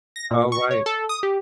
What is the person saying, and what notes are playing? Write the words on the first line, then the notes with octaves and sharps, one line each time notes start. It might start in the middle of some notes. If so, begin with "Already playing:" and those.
Oh, right.
A#6
A#2
C#6
C#5
A4
D#6
G4